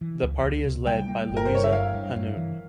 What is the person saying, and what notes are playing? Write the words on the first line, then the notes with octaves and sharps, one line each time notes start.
The party is led by Louisa Hanoune.
E3
C#2
C#2
C3
G3 G5
A#3
G1
A#4
C5
G2 C#5
E5
G3 F5
G2
G2
E3